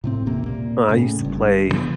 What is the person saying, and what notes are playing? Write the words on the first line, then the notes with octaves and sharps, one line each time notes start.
I used to play,
A2 C3 C4
D#1 A1 C3 A#3
A#2 A#3
A2 C#3
G1 G2
C#3 E3 F3 B3